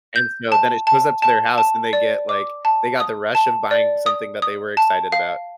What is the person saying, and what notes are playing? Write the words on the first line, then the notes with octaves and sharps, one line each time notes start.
and so then it goes up to their house, and they get, like, they got the rush of buying something that they were excited about,
G6
A5
A5
A5
A5
D5
D6
A5
D#6
A5
D5
D#6
D#6
A5
F5